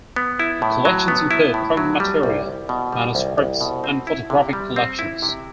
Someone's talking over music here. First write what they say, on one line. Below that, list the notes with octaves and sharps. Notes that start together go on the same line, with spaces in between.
The collections include printed material, manuscripts and photographic collections.
B3
E4
A2
F#3
B3
E4
A2
F#3
G3
C2
C2
B2
G3
C2
C2
B2
C4
E4
C3
G3
C4
E4
C3